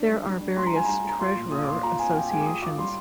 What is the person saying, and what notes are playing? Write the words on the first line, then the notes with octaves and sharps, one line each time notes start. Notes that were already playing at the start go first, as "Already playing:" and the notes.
There are various Treasurer associations.
Already playing: D4
G3
G3
D4
G3 C6
A#5
F4 G#5
G3 A#5
G3 A#5
F4 C6
A#2 C6
F4 D#6
D6
A#2 C6
F4 A#5
C4 G#5
F4 G5
G#3 G#5
D6
F4 D#6
F4 D6
G3 C6